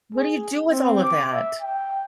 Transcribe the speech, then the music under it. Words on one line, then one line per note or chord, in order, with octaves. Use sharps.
What do you do with all of that?
G#4
C4
D6
E5
G5